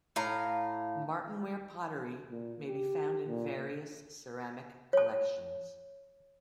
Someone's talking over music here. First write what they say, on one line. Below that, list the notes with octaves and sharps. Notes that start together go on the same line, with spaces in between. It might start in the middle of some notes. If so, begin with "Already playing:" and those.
Martinware pottery may be found in various ceramic collections.
A2 F5 A#5
A#2
G4
A#2
C#5 A5